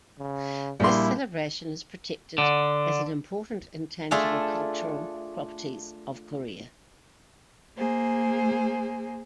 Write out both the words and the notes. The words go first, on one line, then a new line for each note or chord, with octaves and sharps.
This celebration is protected as an Important Intangible Cultural Properties of Korea.
C#3
A#1 G3 E4 C6 D6
D3
A3 D4 F4 G#4 A4
A#3 G#4 C5